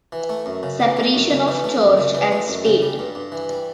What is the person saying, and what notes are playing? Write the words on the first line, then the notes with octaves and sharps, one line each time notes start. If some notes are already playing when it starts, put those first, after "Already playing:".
Separation of church and state.
E3
A3
F#2
C#3
E3
A3
F#2
C#3
E3
A3
F#2
C#3
E3
A3
F#2
C#3
G3
G2
G2
E3
G3